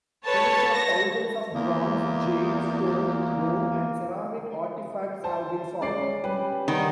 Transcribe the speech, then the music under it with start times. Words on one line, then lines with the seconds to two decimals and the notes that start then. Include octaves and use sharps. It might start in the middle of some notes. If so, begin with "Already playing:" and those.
Tens of thousands of bronze, jade, stone, bone, and ceramic artifacts have been found.
0.25 A4 B4 C#5 A5
0.75 A#6
1.54 E2 A#3
5.24 C5 A5
5.81 G#3 C#4 D5 C7
6.24 G3 B4
6.68 D#3 G3 B3 D5